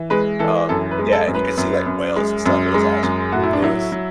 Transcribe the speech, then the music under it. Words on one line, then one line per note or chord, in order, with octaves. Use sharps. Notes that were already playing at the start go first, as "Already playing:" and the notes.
Um, yeah, and you could see, like, whales and stuff, it was awesome. It was
Already playing: E3
G#3 B4
E3 A4
F#2 A4
B4
G#3
A4
F#2
B4
F#2
F#2
G#3
F#2
G#3
F#2
A2 F#4
E4
D4
F#3 E4
F#3